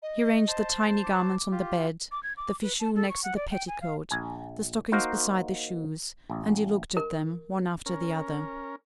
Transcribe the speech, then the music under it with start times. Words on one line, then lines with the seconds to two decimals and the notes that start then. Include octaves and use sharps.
He arranged the tiny garments on the bed, the fichu next to the petticoat, the stockings beside the shoes, and he looked at them, one after the other.
0.03 D#5
0.48 C5 A5
1.04 D6
1.52 F4 G4
2.12 D6
2.23 G#6
2.37 D6
2.62 B4
2.80 A5
2.95 A4
3.09 C#6
3.23 F#5
3.36 D5
3.51 G5
3.68 G#5
3.82 F5
4.11 A#1 G#5
4.92 A#3 D#4 F#4 A#4 C5 F5
6.30 A1
6.97 A#4
7.86 C#4 A#4